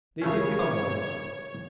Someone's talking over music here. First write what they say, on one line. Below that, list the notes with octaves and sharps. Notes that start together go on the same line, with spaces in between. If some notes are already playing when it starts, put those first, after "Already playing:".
They did come once.
C#3 A3 C#4 F#4 G4 A#4 C#5